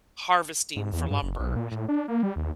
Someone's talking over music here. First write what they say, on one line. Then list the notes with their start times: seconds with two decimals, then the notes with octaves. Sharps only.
harvesting for lumber.
0.76 G#2
0.93 E2
1.10 G2
1.23 F#1
1.39 B1
1.56 A#2
1.71 A2
1.88 D4
2.08 A#3
2.23 G3
2.36 D#2